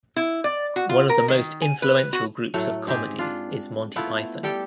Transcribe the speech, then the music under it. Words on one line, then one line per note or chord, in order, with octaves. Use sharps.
One of the most influential groups of comedy is Monty Python.
E4
D5
F#4
F4
A#4
D#3
G#5
B4
F#4
A2 F#3 A3
G#2 C4 G4 G#4
D4 F4
A3 B3 E4 F4
G3 G4 A4 G5